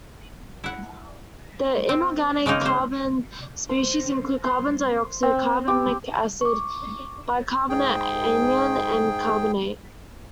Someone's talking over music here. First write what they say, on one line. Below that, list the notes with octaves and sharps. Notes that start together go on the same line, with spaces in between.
The inorganic carbon species include carbon dioxide, carbonic acid, bicarbonate anion, and carbonate.
E4 F#5
C4
C#3 G#3 A#3 D#4
A#3 C5
C5
C6
C4
G4
C#6 D6
G#2 G#4 G5